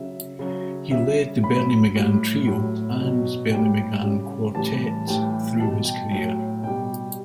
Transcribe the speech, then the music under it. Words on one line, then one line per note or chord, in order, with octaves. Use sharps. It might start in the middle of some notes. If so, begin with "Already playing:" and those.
He led the Bernie McGann Trio and Bernie McGann Quartet through his career.
Already playing: C#3 F#3 E5
C#3 F#3
C#3 G3 E5
A2 F#3 B5
A2 G3
A2 F#3
B2 F#3
A2 G3 G5
C#3 G3
A2 E3 G3 A5
A2 E3 G3 G5
B2 G3 A5
G5
A2 F#3 G5
B2 G3 G5